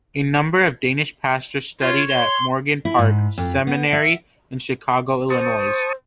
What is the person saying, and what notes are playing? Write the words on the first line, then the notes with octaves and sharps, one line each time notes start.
A number of Danish pastors studied at Morgan Park Seminary in Chicago, Illinois.
F4 C#5
C6
E4
G#2
F2
B3
E5
C5 A5 C#6 D#6